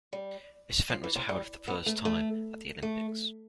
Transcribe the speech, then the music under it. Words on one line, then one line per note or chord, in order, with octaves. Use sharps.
This event was held for the first time at the Olympics.
G3
F3
E3
C3
G3
B3
A3
A3
A3